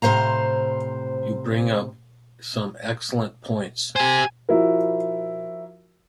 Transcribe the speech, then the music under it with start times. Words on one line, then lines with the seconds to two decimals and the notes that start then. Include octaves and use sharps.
You bring up some excellent points.
0.02 A2 C3 D#3 C5 F5 A#5
3.96 G4 C5 G#5
4.49 F3 E4 F#4 A#4